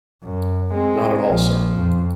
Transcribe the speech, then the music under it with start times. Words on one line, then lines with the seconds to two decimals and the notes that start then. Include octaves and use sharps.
Not at all, sir.
0.24 F#2
0.74 G#3 C4
1.29 A#1 F3
1.78 F2